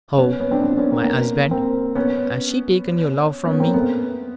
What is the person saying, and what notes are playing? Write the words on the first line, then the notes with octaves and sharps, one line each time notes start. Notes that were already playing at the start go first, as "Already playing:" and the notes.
"Oh, my husband, has she taken your love from me?"
B3 C#4
B3 C#4
C4 D4
B3 C#4
D4
B3 C#4
A#3 C4
A#3 C4
B3 C#4
B3 C#4
A#3 C4
A3 B3